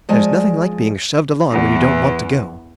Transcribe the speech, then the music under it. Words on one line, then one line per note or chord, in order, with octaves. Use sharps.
There's nothing like being shoved along when you don't want to go.
F3 G#3 D5 G#5 A5
E2 E3